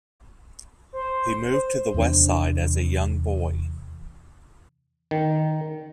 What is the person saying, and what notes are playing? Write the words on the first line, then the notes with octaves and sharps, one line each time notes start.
He moved to the West Side as a young boy.
C5
E2 C3 E3 D4
D#3